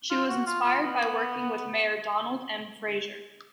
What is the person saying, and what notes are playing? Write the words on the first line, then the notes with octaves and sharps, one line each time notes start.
She was inspired by working with mayor Donald M. Fraser.
F4
F#4
F4
F4
B3